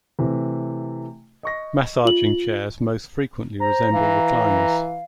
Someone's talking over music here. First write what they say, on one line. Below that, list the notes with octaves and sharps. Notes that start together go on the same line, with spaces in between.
Massaging chairs most frequently resemble recliners.
C3 E3 A3
D#5 C#6 A#6
F4 F#7
C5 A#5
E3 F5